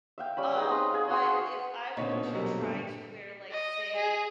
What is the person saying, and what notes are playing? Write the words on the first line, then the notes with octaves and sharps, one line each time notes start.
Um, but if I were to try to wear, like, say,
E5 F5 G5
G3 C#4 B5
D#4 G#4 B4
C4
G#4 F5
F#4 F5 G#5 C6
A#2 D3 C4 D#4 C#5
B2
F#3 G3 A#3
G2 A3
D#5
G#4